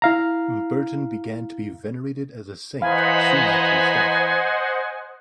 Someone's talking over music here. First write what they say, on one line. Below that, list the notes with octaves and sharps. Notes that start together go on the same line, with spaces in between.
Bertin began to be venerated as a saint soon after his death.
E4 F5 A#5
E3 C5 D#5 F5 F#5 G#5 A#5 B5